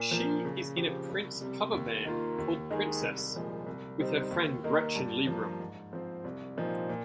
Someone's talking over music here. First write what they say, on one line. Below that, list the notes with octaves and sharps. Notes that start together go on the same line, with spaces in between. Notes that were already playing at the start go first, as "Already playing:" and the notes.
She is in a Prince cover band called Princess with her friend Gretchen Lieberum.
Already playing: A#2
F3 A#3
C#3
F3 C4 G4
C2
C3 G3
D#2
D#3 A#3 F4
D#2
D#3 G#3 D#4 G#4
C2
A#2 F3 G#3
C2
C3 G3 C4 D#4
D#2
D#3 A#3 D#4
G2
F3 A#3
G#2
F3 C4
C2
A#2 F3 C4 D#4
A#2